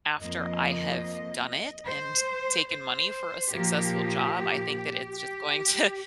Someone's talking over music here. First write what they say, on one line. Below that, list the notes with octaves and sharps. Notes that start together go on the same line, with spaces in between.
after I have done it and t taken money for a successful job, I think that it's just going to
F2 F3 A#3 D#5
C5
C5
A#2 F3 A#3 G4
G4